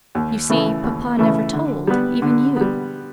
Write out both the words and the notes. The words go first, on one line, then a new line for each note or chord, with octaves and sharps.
You see, papa never told, even you.
D#2
C#3 E3 A3
D#2
C#3 E3 A3
D3
G3 B3
D3
G3 B3